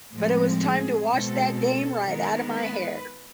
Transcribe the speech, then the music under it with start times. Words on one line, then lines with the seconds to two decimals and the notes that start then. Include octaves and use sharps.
But it was time to wash that dame right out of my hair.
0.13 A2 F3 G#3 C4
0.62 G#4
1.11 B2 G#3 C4 A4
1.59 A4
2.07 D#3 G#3 B3 A#4
2.56 B4